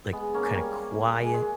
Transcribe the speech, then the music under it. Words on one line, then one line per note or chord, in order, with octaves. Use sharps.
like, kinda quiet.
G#3 B3
A#3 C#4
G3 A#3
G#3
G#3